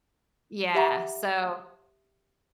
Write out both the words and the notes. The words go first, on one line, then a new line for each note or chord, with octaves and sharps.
Yeah, so
G4 E5 F#5 A#5